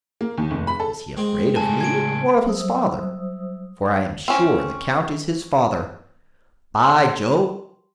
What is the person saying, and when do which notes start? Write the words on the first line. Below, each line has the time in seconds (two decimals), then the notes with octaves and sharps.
Is he afraid of me or of his father? for I am sure the count is his father. By Jove!
0.21 A#3
0.38 D#2
0.51 F1
0.67 B5
0.80 A4
1.17 G#3 C4
1.56 A2 C#3 G#5 A5
1.81 G#6 D7
2.45 F#3 G3 C5 E5 D#6 E6
4.28 C4 C#4
6.83 C6